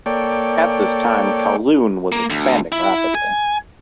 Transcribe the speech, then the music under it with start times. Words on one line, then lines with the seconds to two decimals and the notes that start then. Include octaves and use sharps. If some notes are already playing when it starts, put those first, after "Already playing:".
At this time Kowloon was expanding rapidly.
0.06 A#3 A4 C#5 D5 G5
2.12 A#3
2.30 D2
2.72 E4
3.15 G#5